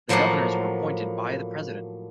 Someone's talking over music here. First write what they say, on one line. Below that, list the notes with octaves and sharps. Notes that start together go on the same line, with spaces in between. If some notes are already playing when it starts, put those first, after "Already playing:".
The governors were appointed by the President.
A2 F3 F#3 A#3 F#5